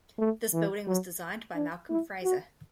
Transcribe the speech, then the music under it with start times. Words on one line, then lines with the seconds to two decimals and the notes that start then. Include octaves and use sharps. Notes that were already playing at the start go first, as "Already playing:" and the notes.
This building was designed by Malcolm Fraser.
0.19 A3
0.54 E3
0.87 F#3
1.55 D4
1.90 E4
2.24 F#4